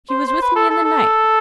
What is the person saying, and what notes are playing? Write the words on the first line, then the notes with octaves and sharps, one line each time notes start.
She was with me in the night.
C5
C5
B4
A4
A4
A4